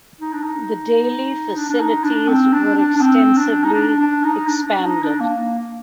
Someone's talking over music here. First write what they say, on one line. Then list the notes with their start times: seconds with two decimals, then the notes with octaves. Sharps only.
The daily facilities were extensively expanded.
0.21 D#4
0.33 D4
0.43 D#4
1.56 D4
1.70 D4
1.80 D#4
2.04 D4
2.28 C4
2.53 D4
2.77 D4
2.96 D4
3.01 C4
3.38 D4
3.64 D#4
3.74 D4
3.99 D4
4.24 D#4
4.47 D4
4.66 D4
4.85 D#4
5.03 D4
5.21 A#3